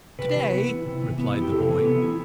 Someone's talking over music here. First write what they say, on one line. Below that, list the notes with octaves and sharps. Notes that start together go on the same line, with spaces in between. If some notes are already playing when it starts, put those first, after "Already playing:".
"To-day!" replied the boy.
C3 B4
E3
B3
E4
C3
E3
B3
E4
G4
C3 A4
E3
B3
E4